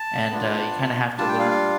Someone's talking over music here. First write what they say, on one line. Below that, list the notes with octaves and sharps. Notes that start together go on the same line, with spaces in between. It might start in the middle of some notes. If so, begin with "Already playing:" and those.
and, uh, you kinda have to learn
Already playing: A5
B3 D4 F4
G3 D4 F4 A5
G5
F5
F5